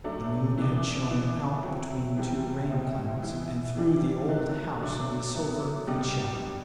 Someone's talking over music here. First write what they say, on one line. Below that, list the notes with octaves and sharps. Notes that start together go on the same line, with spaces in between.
The moon had shone out between two rain-clouds, and threw the old house into silver and shadow.
F#3 A3 D4
E3 B3 D4
E3 B3 D4
F#3 C4 E4
C3 E3 G3
B2 G3 C4 E4
E3 B3 E4
E3 G3 D4
D3 F#3 A3
F#3 A3 D4
F#3 B3 E4
B2 G3 B3 D4